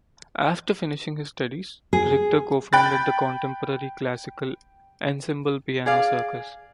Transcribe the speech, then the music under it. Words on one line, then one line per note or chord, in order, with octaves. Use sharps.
After finishing his studies, Richter co-founded the contemporary classical ensemble Piano Circus.
G#4
G5 B5 F#6 A6
G#4 D5 F5